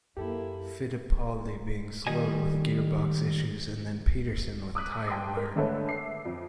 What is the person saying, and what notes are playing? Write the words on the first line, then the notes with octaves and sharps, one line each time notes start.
Fittipaldi being slowed with gearbox issues, and then Peterson with tyre wear.
F#2 A#3 E4 G4 A4
D#3 G3 D#5 G#5
D6 D#6 F#6 B6
G5 A5 C6 D#6
A#4
D3 G#3 A3 A4 B4 C#5
E5 D6 C7
F2